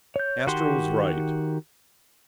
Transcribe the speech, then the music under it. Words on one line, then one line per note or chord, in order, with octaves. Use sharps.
Astro was right.
C#5 G6
D#3 F#4 G4 C6